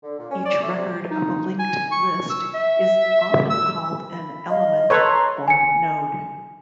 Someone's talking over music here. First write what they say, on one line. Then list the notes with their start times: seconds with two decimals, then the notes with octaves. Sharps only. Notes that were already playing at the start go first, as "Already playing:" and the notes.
Each record of a linked list is often called an 'element' or 'node'.
0.04 D3
0.19 A#2
0.31 C#4
0.46 D5
0.63 A3
0.75 C3
1.11 D#4
1.59 G#5
1.91 C#6
2.30 E6
2.54 E5
3.50 E6
4.06 B5
4.50 D#5 F5
4.90 A4 B4 C#5 A#5 C6
5.48 G#5 C#7